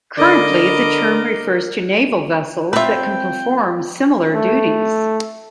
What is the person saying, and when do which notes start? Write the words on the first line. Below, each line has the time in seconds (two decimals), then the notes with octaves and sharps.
Currently the term refers to naval vessels that can perform similar duties.
0.17 D3 A#4 D5 D#5 B5 D6
2.73 C4 F4 B4 E5 G5
4.35 A3